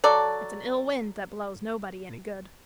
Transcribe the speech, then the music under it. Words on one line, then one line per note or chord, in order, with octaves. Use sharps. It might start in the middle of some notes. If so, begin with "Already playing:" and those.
"It's an ill wind that blows nobody any good."
F#3 A4 D5